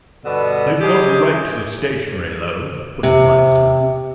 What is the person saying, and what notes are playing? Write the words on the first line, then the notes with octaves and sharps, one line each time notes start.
"They've got a right to the stationery, though," put in Blackstone.
G2 B2 D3 B3
F#3 G#3 G4 G#4
C3